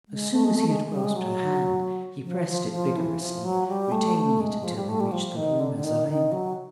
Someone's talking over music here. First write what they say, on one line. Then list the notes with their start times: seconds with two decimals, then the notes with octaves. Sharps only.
As soon as he had grasped her hand, he pressed it vigorously, retaining it until they reached the Rue Mazarine.
0.08 G#3
0.32 A3
0.44 G#3
0.56 A3
0.68 G#3
0.92 G3
1.04 G#3
1.16 F#3
2.24 F3
2.48 F3
2.72 F3
2.97 E3
3.20 F3
3.45 F#3
3.68 G3
3.92 A3
4.17 A3
4.40 G#3
4.64 F3
4.76 G3
4.89 A3
5.00 G3
5.12 F3
5.36 D#3
5.60 D3
5.76 D3
5.84 D#3
6.08 D#3
6.32 F#3